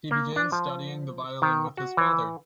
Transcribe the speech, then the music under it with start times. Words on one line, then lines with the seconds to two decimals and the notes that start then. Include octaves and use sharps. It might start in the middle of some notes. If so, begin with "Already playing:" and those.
He began studying the violin with his father.
0.11 A#3
0.36 D4
0.52 F3
1.42 D#3
1.77 F#4
1.97 E3